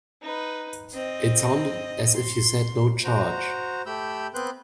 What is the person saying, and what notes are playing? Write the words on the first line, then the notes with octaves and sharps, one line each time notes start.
It sounded as if you said no charge.
D#4 B4
C4 D#5
C6
F#4 C5 A#5
A3 G4 B5 E6 G6
B3 C4 B4 C6 F#6 G6